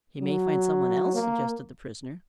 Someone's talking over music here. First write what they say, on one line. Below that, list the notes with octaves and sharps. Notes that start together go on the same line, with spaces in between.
"He may find some one else," suggested the prisoner.
F#3
A#3